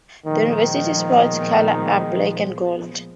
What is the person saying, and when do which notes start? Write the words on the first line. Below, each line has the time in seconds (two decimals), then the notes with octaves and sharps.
The University sports colours are black and gold.
0.25 A#2 D#3 F3 G#3 B3